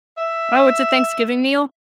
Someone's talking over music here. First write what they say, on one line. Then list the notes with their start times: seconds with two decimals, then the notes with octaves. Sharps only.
Oh, it's a Thanksgiving meal?
0.17 E5